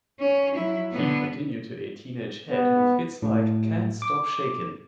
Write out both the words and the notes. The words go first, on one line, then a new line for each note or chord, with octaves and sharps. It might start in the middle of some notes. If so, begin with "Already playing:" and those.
He continued to aid Teenage Head with hits like "Can't Stop Shakin'".
C#4
F#3 E4
D3 B3
B3
A2
D6